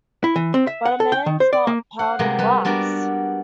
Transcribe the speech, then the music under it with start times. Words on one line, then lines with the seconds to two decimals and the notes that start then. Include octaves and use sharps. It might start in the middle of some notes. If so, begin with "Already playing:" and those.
But a man's not powdered glass!
0.24 E4
0.36 E3
0.54 C4
0.67 E5
0.85 F#5
1.00 A4
1.12 G5
1.26 D#3
1.40 C5
1.53 D5
1.67 A#3
1.99 C5 F#5
2.19 C3 G3 G#3 A#3 B3
2.39 G3 B4
2.65 G3 B3 D4 F#4 A#4 D5